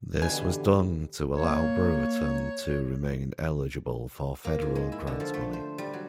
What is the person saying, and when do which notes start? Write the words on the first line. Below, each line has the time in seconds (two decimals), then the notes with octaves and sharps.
This was done to allow Brewerton to remain eligible for Federal grant money.
0.22 A1 B2 D3 E3 G4 G#5
1.35 A#3 C#5
4.45 A#3
4.62 G#2
4.75 G#3
4.92 E4
5.07 D3
5.20 F3
5.34 A3
5.53 C5
5.78 G3
5.93 F#3